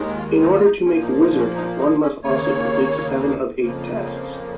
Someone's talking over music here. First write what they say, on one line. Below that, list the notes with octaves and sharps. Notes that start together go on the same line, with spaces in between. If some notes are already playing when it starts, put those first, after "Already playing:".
In order to make Wizard, one must also complete seven of eight tasks.
Already playing: D#2 D#3 G#3
F4
D#4
F4
D#4
A#2 F3 A#3 C#4
D#4
D#4
C#4
D#4
D#4
C#4
D#2 C#3 A#3 C#5
F2 C#3 F3 A#3